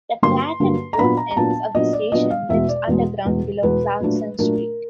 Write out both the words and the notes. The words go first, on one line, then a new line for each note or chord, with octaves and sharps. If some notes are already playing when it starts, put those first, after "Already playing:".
The track at both ends of the station dips underground below Clarkson Street.
G2 D3 F#3 A#3 C6
G2 D3 F#3 A#3
A#5
A#2 F#3 B3 D4 B5
A#5
A#5
A#2 F#3 B3 D4 A5
A#2 F#3 B3 D4 D#5
D5
A#2 F#3 B3 D4 D#5
F5
E2 B2 G#3 E5
D5
E2 B2 G#3
E2 B2 G#3
E2 B2 G#3 B4
A#2 F#3 A3 D4
A#2 F#3 A3 D4 A#4